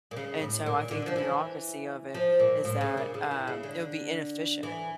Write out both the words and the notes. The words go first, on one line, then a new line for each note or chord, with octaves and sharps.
and so I think the bureaucracy of it is that, um, it would be inefficient,
A#2
C#3
A2
A#2
D3
F3
E3
F3
A#2
A2
C#3
A#2
C#3
E3
C#3
D3
E3